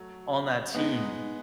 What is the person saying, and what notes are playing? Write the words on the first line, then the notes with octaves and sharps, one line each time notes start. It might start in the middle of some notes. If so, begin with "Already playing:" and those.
on that team
Already playing: F#3 A3
G#3 B3 D#4